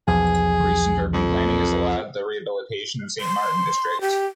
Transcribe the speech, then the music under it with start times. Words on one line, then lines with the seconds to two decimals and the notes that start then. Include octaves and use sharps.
Recent urban planning has allowed the rehabilitation of Saint-Martin district.
0.08 B1 E2 F3 G#4
1.13 F2
3.21 C6
4.01 G4